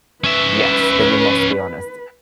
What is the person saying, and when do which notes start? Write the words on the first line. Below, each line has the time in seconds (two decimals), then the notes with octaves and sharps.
Yes, then you must be honest.
0.24 C#4 B4 E5